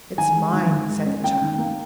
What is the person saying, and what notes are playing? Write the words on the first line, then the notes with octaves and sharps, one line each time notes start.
"It's mine," said the child.
D#3 G#5
G#3
D#3
D#3
G#2
C#4
A#3 G5
D#3
A#3